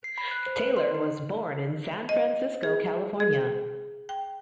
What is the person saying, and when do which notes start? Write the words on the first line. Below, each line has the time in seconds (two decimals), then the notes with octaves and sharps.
Taylor was born in San Francisco, California.
0.04 C7
0.18 B5
0.31 F#6
0.46 C5
0.58 B4
0.77 C6
0.95 D#4
2.09 D#5
2.63 G#4
3.20 G#4
4.09 G5